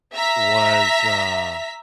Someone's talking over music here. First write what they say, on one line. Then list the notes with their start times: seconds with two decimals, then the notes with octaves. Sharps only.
was, uh,
0.15 E5 A#5 B6